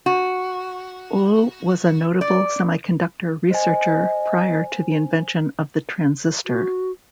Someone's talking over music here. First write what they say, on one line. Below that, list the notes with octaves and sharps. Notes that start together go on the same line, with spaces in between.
Ohl was a notable semiconductor researcher prior to the invention of the transistor.
F#4
D5
C5 D#5 G#5
F#4